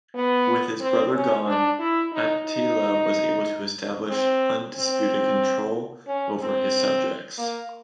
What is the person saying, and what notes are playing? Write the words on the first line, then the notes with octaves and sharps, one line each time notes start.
With his brother gone, Attila was able to establish undisputed control over his subjects.
B3
C4
C#4
D4
E4
D#4
D#4
C4
C4
C#4
C4
A#3